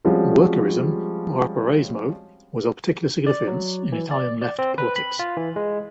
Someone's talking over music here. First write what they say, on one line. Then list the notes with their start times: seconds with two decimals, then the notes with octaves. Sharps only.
Workerism, or operaismo, was of particular significance in Italian left politics.
0.04 F3 G3 G#3 C4 C#4 F#4
3.27 D5
3.48 F#3
3.92 E3
4.11 D5
4.41 D5
4.59 C4
4.78 B4
4.96 B5
5.19 F4
5.37 E3
5.56 G#3